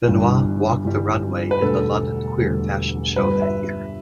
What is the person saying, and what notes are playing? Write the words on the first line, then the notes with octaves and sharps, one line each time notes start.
Benoit walked the runway in the London Queer Fashion Show that year.
G1 G2 E3 G3
G1 G2 E3 G3
B4
E1 D2 D3 G3 A4
E1 D2 D3 G3
G1 G2 G3 B4
E5